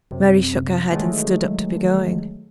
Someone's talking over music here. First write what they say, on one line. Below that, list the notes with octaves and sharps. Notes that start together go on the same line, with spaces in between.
Mary shook her head, and stood up to be going.
F#2 C3
D#3 E3 F#3 G#3 A3